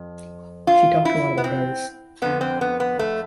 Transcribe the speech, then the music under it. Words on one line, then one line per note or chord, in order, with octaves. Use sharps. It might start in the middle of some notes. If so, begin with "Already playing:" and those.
She talked a lot about hers.
Already playing: F2
F4
E4
B3
C4
F2 D3 B3
C4
B3
B3
A3